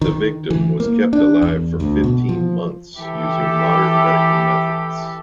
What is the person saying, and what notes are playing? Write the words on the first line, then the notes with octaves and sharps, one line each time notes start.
The victim was kept alive for fifteen months using modern medical methods.
D#3
E3
A#3
D4
E2
D2
B2
F3
E3 G4 A4